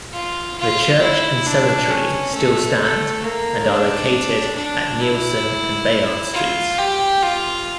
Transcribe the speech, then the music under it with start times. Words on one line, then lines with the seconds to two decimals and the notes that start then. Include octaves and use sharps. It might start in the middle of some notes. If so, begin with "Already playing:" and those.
The church and cemetery still stand and are located at Neilson and Bayard Streets.
0.14 F4
0.58 F4
1.02 E4
1.46 D4
1.91 C#4
2.35 A3
2.79 A3
3.24 A#3
3.68 D4
4.56 D4
5.01 E4
6.33 F4
6.78 G4
7.22 F4